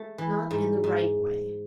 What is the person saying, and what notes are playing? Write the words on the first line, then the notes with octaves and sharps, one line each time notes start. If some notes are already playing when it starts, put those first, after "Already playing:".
'Not in the right way.
Already playing: A3
E3
G#2
G#2